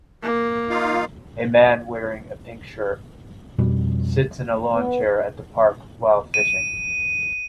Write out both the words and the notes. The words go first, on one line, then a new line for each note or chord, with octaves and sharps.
A man wearing a pink shirt, sits in a lawn chair at the park while fishing.
A#3
D#4 F4 F5
F2 B2 G3
B3
D#7